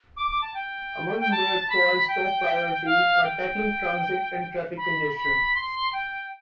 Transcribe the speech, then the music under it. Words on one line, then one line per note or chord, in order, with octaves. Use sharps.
Among Mayor Tory's top priorities are tackling transit and traffic congestion.
D6
D6
A5
G5
G5
A5
B5
G5
F5
G5
B5
B5
C6
G5